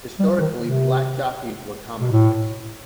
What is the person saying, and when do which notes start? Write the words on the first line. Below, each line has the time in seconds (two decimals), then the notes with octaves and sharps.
Historically, black jockeys were commonplace.
0.19 G3
0.41 D#3
0.62 C3
2.00 B2
2.11 A2